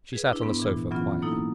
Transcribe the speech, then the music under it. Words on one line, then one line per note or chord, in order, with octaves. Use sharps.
She sat on the sofa quietly.
G#4 B4
D4 E4
G#2 B3
A#2 E3 E4
E3 F#3 B3 C#4 F4
A#3 D#4 E4 A4